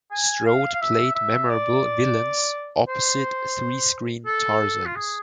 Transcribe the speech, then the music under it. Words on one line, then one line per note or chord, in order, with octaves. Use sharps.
Strode played memorable villains opposite three screen Tarzans.
G#5
F5
F5
E5
E5
D5
C5
A4
F4
G#4